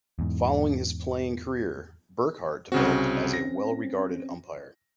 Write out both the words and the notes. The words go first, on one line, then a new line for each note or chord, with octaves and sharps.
Following his playing career, Burkhart developed as a well-regarded umpire.
E2 G#2
C2 C#3 C4 C#4 F#4
A#6